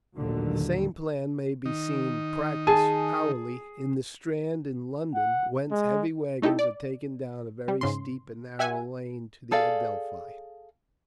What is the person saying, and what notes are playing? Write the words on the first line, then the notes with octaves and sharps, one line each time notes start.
The same plan may be seen practised hourly in the Strand in London, whence heavy wagons are taken down a very steep and narrow lane to the Adelphi.
A1 D#2 A#2 D3 F#3
D#3 D#4
G#4 G#5 A5
F#5
G#3
A3 D#4 E4 G4 A4
D5
G3
G#2 C#3 C6
G4 E5 F#5 G#5
G#4 A4 D5 F5